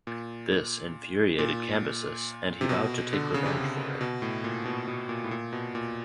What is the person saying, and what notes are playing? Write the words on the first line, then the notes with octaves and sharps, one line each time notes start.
This infuriated Cambyses and he vowed to take revenge for it.
A#2
A#2
C3
B2
D3
C#3
C3
C#3
B2
A2
A#2
B2
B2
A#2
A2
A#2
B2
A#2